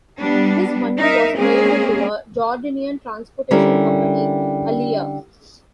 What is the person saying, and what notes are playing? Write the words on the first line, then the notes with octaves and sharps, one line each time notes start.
This money was paid to a Jordanian transportation company, Alia.
G3 B3 D4
D#4 A#4 E5
G#3 A#3 C4 C#4 G#4
D3 G3 C#4 E4 A#4